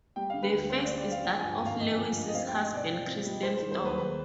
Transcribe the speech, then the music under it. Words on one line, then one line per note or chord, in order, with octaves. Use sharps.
The face is that of Lewis's husband, Christian Storm.
G3 G5
F5
D3
B4
D2 B4
C4 C5
D5
G3
D5
D3 F5
F3 G5
G#5
G2
G5
G#1 F5
B3 D#5
F3
G2
D#5
C4 F5
G5
G3
D#5
B2 D5
F4
C4
G3
G#3 C5
C5
D#3
C5
D#2
B4
D#2 B4